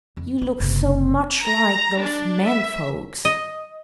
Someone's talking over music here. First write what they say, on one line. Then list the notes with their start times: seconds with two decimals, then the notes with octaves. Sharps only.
"You look so much like those men-folks."
0.17 F2
0.42 F4
0.60 F#1 C3
1.45 A#5
2.00 D4
2.45 E5
3.25 D#5